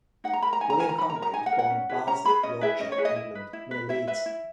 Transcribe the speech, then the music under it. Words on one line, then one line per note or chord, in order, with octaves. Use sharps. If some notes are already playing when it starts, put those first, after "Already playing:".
William Congreve was born in Bardsey, Yorkshire, England near Leeds.
D#4 F#5
A#5
A#4 B5
A#5
D#4 G#5
A#5
A#4 G#5
A#5
D#4 B5
A#5
A#4
A#5
D#4 G#5
F#5
A#4
F#5
C#4
E4 G#4 B4
C#4 A#5
E4 G#4 B4 B5
C#4 D#5
E4 G#4 B4 E5
C#4 D#5
C#5
E4 G#4 B4
D#5
E4
B4
E4
B4
E4 E5
B4 E5
E4